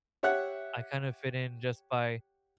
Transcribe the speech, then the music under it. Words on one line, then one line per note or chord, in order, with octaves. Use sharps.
I kind of fit in just by
G4 C#5 E5 F#5 F#6